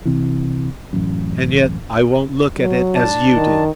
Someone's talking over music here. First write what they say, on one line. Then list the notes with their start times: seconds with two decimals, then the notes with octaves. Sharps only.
And yet I won't look at it as you do.
0.05 C2 C3 E3
0.93 A1 F#2
2.58 F#3
2.95 D4 A5
3.35 D#3